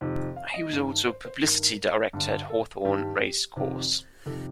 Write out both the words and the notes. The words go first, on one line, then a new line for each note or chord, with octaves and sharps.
He was also Publicity Director at Hawthorne Race Course.
F2 C3 D#3
F5
D#5
G2 D#3
C5
C5
G2 D#3 A#4
G2 D3
A4
G2 D#3 G4
F2 C3 D#3
F2 C3 D#3 A4